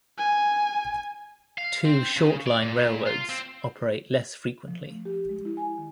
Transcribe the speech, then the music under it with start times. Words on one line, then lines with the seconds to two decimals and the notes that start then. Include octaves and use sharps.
Two short-line railroads operate less frequently.
0.18 G#5
1.58 F5
1.85 C4
2.17 C#3
2.47 D5
2.62 A#2
2.77 A#2
3.06 F4
3.29 C4
4.68 F3
4.90 A3
5.05 G4
5.29 G#3
5.45 E4
5.57 G#5
5.78 D#3